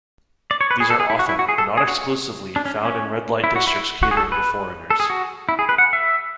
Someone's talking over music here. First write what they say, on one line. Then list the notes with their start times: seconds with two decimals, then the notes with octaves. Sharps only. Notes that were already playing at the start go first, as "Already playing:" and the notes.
These are often, but not exclusively, found in red light districts catering to foreigners.
0.51 D5
0.61 C#5
0.71 B4
0.80 G#4
0.90 A4
1.00 G#4
1.10 E4
1.19 F#4
1.29 E4
1.39 F#4
1.49 G#4
1.58 A4
1.77 G#4
1.88 F#4
2.56 D4
2.65 C#4
2.85 C#4
3.44 E4
3.56 F#4
3.67 E4
4.03 F#4
4.11 G#4
4.17 A4
4.32 B4
4.90 A4
5.00 G#4
5.10 F#4
5.49 E4
5.59 G#4
5.69 B4
5.78 F#5
5.93 E5